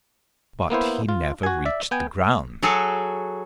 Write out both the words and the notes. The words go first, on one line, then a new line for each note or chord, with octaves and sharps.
But he never reached the ground.
A#3 B3 E4 C5
F4
F#4 G#5
D5 E5
B3 G5 G#5
F#3 F#4 G#4 A4